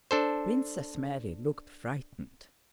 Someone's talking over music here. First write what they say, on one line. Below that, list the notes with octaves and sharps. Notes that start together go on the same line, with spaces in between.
Princess Mary looked frightened.
D4 A4 C5